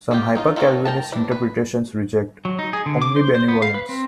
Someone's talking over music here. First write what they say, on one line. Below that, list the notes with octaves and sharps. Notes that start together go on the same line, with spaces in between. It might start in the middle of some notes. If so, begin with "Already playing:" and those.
Some Hyper-Calvinist interpretations reject omnibenevolence.
A#3 B3 F4 G4
C#4 D#4 F4
D#3 F4 A4 A#4 C#5
A#4 G5 A5
E3 D4
B4
F#3
D#4
G#4
D3
D6
C5
C5
B3
F5
B4
C4